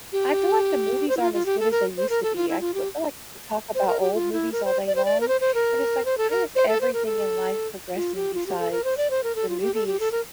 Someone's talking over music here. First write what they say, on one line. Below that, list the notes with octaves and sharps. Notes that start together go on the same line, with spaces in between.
I feel like the movies aren't as good as they used to be, I well, I feel like we talk about old movies all day long, and it's like, why is everything in life progressing besides the movies
G4
C5
E4
F4
F4
G4
A4
A#4
C5
A#4
A4
F4
E4
F4
G4
C5
A#4
G4
F4
E4
A#4
C5
D5
C5
D5
A#4
C5
C5
A#4
C5
A4
A#4
C5
A4
C5
A#4
A4
F4
G4
F4
G4
A4
A#4
C5
D5
C5
A#4
A4
F4
G4
A4
G4
A4
A#4